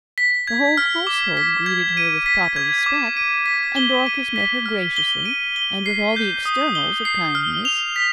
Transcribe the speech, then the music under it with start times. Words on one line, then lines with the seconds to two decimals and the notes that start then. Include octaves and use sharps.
The whole household greeted her with proper respect, and Dorcas met her graciously, and with all the externals of kindness.
0.18 B6
0.47 G#6
0.77 F6
1.07 D6
1.37 B6
1.66 G#6
1.97 D#7
2.26 B6
2.56 G#6
2.86 D6
3.17 D#7
3.46 B6
3.76 G7
4.06 D#7
4.36 B6
4.66 F6
4.96 G7
5.25 D#7
5.56 G7
5.86 C7
6.16 G6
6.45 D#6
6.75 G7
7.05 C7
7.35 F6
7.65 F7
7.96 B6